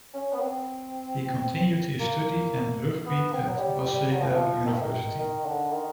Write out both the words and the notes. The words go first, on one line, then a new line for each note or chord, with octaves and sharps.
He continued his study and rugby at Waseda University.
C#4
B3
C4
A#3
B3
C4
F#3
G3
G3
F#3
F3
E3
F3
D#3
E3
D#3
D#3
D3
D#3